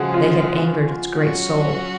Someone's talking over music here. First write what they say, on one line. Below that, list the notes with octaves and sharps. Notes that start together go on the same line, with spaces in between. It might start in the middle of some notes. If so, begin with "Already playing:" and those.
They had angered its great soul.
Already playing: C#3 F3 G#3 F#4 G#4
F4
F#3 C#4 F#4